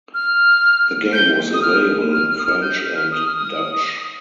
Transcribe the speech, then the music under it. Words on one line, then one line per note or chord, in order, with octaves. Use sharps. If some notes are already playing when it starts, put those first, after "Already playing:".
The game was available in French and Dutch.
F6
G6
D#6
F6
F6
F6
D#6
F6
G6
F6
D#6
F6
D#6